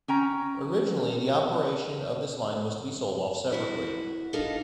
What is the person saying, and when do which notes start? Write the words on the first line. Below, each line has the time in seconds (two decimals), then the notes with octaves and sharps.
Originally the operation of this line was to be sold off separately.
0.08 C#4 G5 A#5
3.52 E4 F#4
4.33 D4 D#4 F4 A4 A#4 D#5